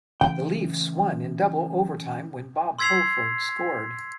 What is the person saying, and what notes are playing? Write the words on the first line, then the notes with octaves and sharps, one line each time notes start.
The Leafs won in double overtime when Bob Pulford scored.
C#3 E3 A3 G5
C6 E6 G#6 B6 C7 F7